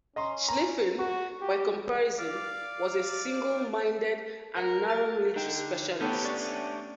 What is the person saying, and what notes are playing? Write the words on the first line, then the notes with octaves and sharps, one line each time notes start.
Schlieffen, by comparison, was a single-minded and narrow military specialist.
C#4 D#5 A#5 C6
A#5
F#4 C#6
G4
D5 F5 D6
A#4 F#5
F6 A6
D3 D#4 G5
A3 B3 C#4 G4 G6
D4 C#6 A6